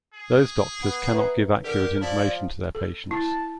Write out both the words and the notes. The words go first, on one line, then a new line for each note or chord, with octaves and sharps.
Those doctors cannot give accurate information to their patients.
G#4
B3
B4 E5 A#5
D3 G4 G#4 A#4
F3 E4 D5 A5
A4
E4 A5